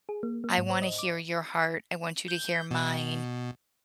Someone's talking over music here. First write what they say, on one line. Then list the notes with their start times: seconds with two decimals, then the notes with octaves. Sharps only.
I wanna hear your heart, I want you to hear mine,
0.09 G#4
0.23 A#3
0.44 A#3
0.57 G#2
0.70 C5
0.82 D#5
0.98 D6
2.28 G6
2.71 B2